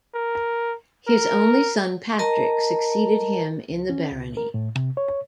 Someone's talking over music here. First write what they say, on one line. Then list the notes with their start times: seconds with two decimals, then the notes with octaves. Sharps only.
His only son Patrick succeeded him in the barony.
0.14 A#4
1.08 A#4
2.19 A#4 D#5 A5 A#5
3.71 C#2
3.90 C#4
4.11 C#2
4.37 A#4
4.54 A2
4.76 C3
4.97 C#5